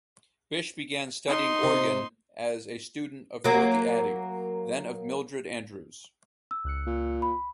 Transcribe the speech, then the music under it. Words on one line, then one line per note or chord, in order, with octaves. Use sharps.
Bish began studying organ as a student of Dorothy Addy, then of Mildred Andrews.
D#4 C6
C3
F#3 A#3
E6
C#2 F#6 C#7
A#2
B5